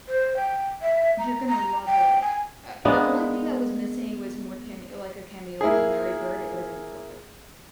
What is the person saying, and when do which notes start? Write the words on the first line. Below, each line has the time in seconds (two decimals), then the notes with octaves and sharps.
You're gonna love it. Uh, the only thing that was missing was more came like a cameo from Larry Bird. It would have been perfect.
0.08 C5
0.36 G5
0.82 E5
1.18 A#5
1.49 A#5
1.87 G5
2.22 G#5
2.85 G#3 A#3 B3 D4
5.61 A#3 E4 G#4